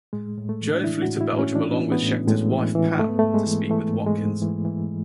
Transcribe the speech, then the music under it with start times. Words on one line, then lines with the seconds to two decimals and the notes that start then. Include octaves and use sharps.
Joann flew to Belgium along with Scheckter's wife Pam to speak with Watkins.
0.13 A2 G#3
0.37 A2
0.49 A3
0.61 E3
0.75 D4
0.84 E3 E4
1.02 F#4
1.08 A2
1.21 E4
1.33 A2
1.39 C#4
1.55 E3 D4
1.80 E3
1.92 B3
2.03 A2
2.28 A2 G#3
2.51 E3
2.75 E3
2.99 G#2 A3
3.09 B3
3.19 G#2 A3
3.34 G#3
3.47 E3
3.70 E3 A3
3.94 G#2
4.07 G#3
4.18 G#2
4.42 E3
4.65 E3